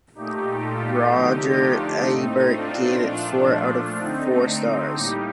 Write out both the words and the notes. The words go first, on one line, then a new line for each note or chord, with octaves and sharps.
Roger Ebert gave it four out of four stars.
A#2 A3 D#4 G4
F4 A4
D3 F3 A3 D#4 G4
D4 F4
A2 A3 C4 D#4
D4 F4
A#2 F3 A3
D3 A3 C4 D#4
A2 G3 A#3 D#4 G4